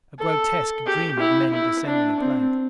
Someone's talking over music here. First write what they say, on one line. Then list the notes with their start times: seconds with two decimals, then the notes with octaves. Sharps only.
A grotesque dream of men descending a plank.
0.19 A4
0.86 G4
1.20 E4
1.54 E4
1.86 D4
2.20 C4